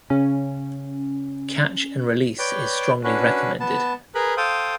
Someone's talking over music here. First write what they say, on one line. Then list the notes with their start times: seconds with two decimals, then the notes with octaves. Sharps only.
Catch and release is strongly recommended.
0.10 C#3 C#4
2.39 B4 C#5 D5 G5
3.04 C#4 D4 F#4 B4
3.60 B3 A5
4.15 G#4 A#4 B4 B5
4.37 A4 C5 F5 G5 D#6